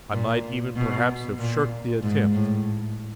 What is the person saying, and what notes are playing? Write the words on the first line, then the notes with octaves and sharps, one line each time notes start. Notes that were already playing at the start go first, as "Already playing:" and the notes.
I might even perhaps have shirked the attempt.
A#2
B2
A#2
G#2
A2